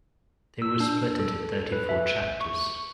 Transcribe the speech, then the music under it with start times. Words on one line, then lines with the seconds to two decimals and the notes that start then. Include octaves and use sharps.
They were split into thirty-four chapters.
0.62 E6
0.80 D4
1.19 A4
1.72 B4
1.89 E5
2.41 C#6